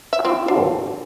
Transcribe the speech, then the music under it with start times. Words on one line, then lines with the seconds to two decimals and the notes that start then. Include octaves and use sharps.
Oh, cool.
0.13 E5
0.25 C4
0.48 D4